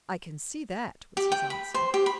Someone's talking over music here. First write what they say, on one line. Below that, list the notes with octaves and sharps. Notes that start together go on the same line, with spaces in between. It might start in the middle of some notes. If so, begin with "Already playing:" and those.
"I can see that," was his answer.
G4
G5
B5
C5
G4
B5